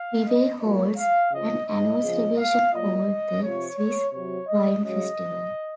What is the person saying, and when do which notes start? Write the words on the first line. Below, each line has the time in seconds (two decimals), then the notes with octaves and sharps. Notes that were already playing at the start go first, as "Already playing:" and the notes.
Vevay holds an annual celebration called the Swiss Wine Festival.
Already playing: F5
0.26 D#5
0.62 A#2 F#3 C#5
0.97 F5
1.32 C#3 F3 D#5
1.67 D#5
2.02 C#3 F3
2.37 F5
2.72 A#2 F#3 D#5
3.42 C3 F3 C#5
3.78 C#5
4.13 C3 F#3 C#5
4.48 D#5
4.83 C#3 F#3 D#5